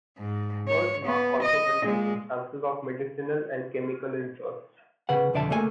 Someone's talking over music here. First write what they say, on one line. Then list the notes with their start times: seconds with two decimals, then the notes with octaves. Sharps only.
Birch bark also contains substances of medicinal and chemical interest.
0.19 G#2
0.68 C#5
1.06 B3
1.43 D#5
1.83 A#2 G#3
5.09 C#3 B4 F#5
5.33 B1 F2 D3 D5 E5 A5
5.50 C#2 A3 A#3 G#4 G#5